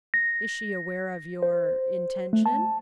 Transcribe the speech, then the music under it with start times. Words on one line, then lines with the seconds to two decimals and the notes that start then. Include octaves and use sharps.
"Is she aware of your--intention?"
0.14 A#6
1.43 C5
2.33 A3
2.46 A5